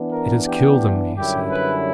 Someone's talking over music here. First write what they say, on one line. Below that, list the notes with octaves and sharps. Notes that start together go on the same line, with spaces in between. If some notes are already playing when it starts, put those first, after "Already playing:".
"It has killed him!" he said.
Already playing: E3 B3 D4
A#4
G4
F#2 D3 G3 C#4 E4 G4
B4